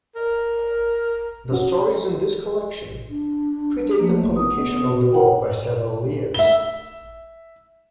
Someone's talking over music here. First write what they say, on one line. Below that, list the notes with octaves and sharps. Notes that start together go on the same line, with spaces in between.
The stories in this collection predate the publication of the book by several years.
A#4
C#4 F#4
D4
F3 A3 A#3
B3 D#6
F#4
A#4 C#5 F#5 G5
E5 G7